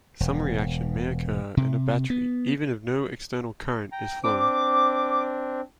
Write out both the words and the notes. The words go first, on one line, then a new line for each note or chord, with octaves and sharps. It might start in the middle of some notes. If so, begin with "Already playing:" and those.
Some reaction may occur in a battery even if no external current is flowing.
E1
C3
B3
G5 A#5
C4 D4 D6